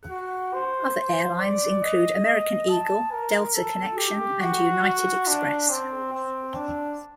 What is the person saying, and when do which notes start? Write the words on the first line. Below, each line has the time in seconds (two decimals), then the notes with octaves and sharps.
Other airlines include American Eagle, Delta Connection and United Express.
0.10 F#4
0.54 C5
0.97 C5
1.39 D5
1.82 D#5
2.25 D#5
2.69 A5
3.12 A#4
3.55 A4
3.98 G4
4.40 F#4
4.84 F#4
5.27 D4
5.70 C4
6.12 C4
6.55 D4